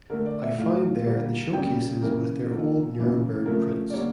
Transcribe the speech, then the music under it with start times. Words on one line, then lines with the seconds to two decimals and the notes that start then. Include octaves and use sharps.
I found there the show-cases with their old Nuremberg prints.
0.10 D3 A3 A#4
0.26 D5
0.42 E5
0.58 A2 F3 A3 F5
1.06 D3 G3 A#3
1.53 C#3 G3 A#3 G5
2.01 C#3 E3 A#3 A#4
2.49 D3 F3 A#3 A4
2.99 C#3 E3 A#3
3.46 C#3 F3 A3 A#4
3.90 D5
3.94 D3 G3 A#3 C#5